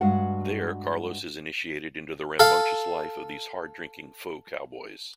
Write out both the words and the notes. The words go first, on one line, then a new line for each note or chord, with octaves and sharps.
There Carlos is initiated into the rambunctious life of these hard-drinking faux cowboys.
G2 G#3 F#4 F5 F#5
A4 F5